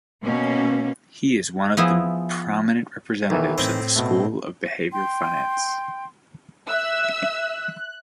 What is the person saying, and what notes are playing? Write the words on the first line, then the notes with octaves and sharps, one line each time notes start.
He is one of the prominent representatives of the school of behavioral finance.
B2 A#3 C#4
F3 B3 E4 G#4 E5
B1 D#3 E3 E4
A2 C4 G5
B2 A3
G5 C6
E5 E6 F#6